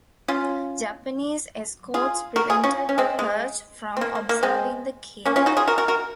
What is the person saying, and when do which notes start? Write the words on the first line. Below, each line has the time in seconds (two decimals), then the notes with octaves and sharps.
Japanese escorts prevented "Perch" from observing the kill.
0.28 C#4 F4
1.94 F4 G#4
2.36 F#4 A#4
2.50 F4 G#4
2.63 C#4 F4
2.89 C#4
2.98 G#3 C4
3.19 G#3
3.97 C4
4.01 A#3
4.15 A#3
4.29 A#3
4.43 G#3 C4
5.25 A#3 C#4
5.36 C#4 F4
5.46 D#4 F#4
5.57 F4 G#4
5.67 F#4 A#4
5.78 F#4 A#4
5.88 F#4 A#4